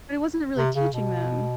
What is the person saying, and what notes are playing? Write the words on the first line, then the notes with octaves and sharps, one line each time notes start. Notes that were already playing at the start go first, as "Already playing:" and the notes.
But it wasn't a really teaching them.
C3
C#3
B2